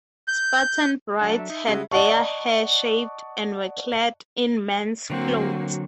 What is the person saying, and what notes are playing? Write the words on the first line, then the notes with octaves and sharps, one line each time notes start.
Spartan brides had their hair shaved and were clad in men's clothes.
G6
F#3 D4 A4 F#5
E5
D#4
C#3 G3 G#3 F#4 D#5
D5 D#5 F#5 A5 C#6
D3 F#3 A#3 C4 F#4